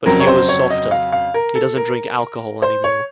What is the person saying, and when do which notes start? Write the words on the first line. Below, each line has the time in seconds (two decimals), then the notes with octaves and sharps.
But he was softer-he doesn't drink alcohol anymore.
0.05 F2 C#3 F#3 C4 A#4
0.20 C#5
0.27 C5
0.49 C#5
0.70 D#5
0.91 F5
1.12 F5
1.34 A#4
1.55 A4
1.77 A#4
2.62 C5
2.84 C#5